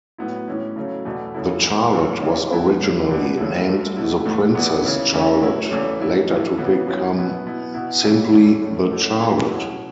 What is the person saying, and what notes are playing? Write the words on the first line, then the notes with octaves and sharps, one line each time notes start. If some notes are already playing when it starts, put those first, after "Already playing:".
The Charlotte was originally named The Princess Charlotte, later to become simply 'The Charlotte'.
A2 F#3 B3 E4
A2 E3 C#4 E4
C#3 F#3 A3 C#4
E2 B2 A3
F#2 C#3 A3 E4
E2 E3 B3 E4
F#2 C#3 E3 A3
E2 C#3 E3 C#4
A2 F#3 B3 E4
C#3 A3 E4
E2 B2 B3 E4
F#2 C#3 A3 E4
F#2 F#3 A3
B2 A3 E4
A2 E3 A3
E2 E3 B3 E4
C#3 E3 C#4 E4
C#3 E3 A3 C#4
A2 F#3 C#4 E4
E2 C#3 E3 A3 C#4
A2 F#3 C#4 E4
A2 E3 A3 E4
C#3 E3 B3 E4
F#2 F#3 C#4 E4
B2 B3 E4
B2 B3 E4
B2 B3 E4
C#3 E3 A3 E4
E2 E3 A3 C#4 E4
A2 A3 C#4
B2 A3 C#4 E4
F#2 F#3 A3 E4
B2 F#3 C#4 E4